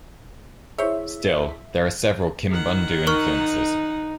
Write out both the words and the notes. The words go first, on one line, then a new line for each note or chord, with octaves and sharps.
Still, there are several Kimbundu influences.
E4 G#4 C5 C#5 E5
D#3 F#5
D#4 A#4 C#6 F6